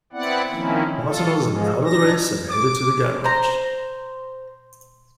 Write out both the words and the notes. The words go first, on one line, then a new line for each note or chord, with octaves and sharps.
Martin was out of the race and headed to the garage.
B3 C4 E4 D5 F#5
D#3 F3 A#3 C4 C#4 E4
F4 A4
G#2 F3 G#3
D4 D#4 A#6
D6
C5 A#5